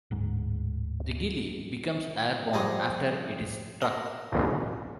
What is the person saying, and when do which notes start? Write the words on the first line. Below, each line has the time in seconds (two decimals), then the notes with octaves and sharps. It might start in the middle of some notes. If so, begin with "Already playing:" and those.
The "gilli" becomes airborne after it is struck.
0.11 D1 G#2
2.53 F3 G3 G#4 D#5
3.82 A#4